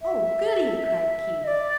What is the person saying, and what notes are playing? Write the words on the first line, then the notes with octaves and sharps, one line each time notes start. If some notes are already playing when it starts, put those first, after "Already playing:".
"Oh, goody!" cried Keith.
E5
D#5
D5